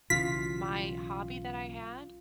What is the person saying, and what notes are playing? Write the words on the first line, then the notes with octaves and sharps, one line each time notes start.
my hobby that I had,
B1 C#3 E3 F4 B6